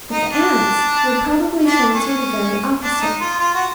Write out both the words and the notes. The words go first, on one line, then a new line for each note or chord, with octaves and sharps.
But the ants would probably fancy the very opposite.
D#4
D4
D4
C#4
D4
D#4
F4
F4
F#4